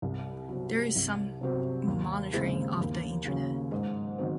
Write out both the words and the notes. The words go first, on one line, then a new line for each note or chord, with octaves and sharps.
There is some monitoring of the Internet.
C2
C3 F#3
C2
C3 F#3 C4
D#2
C#3 G#3 C4 E4
D#2
C#3 F#3 C#4
G#2
D#3 F#3 C4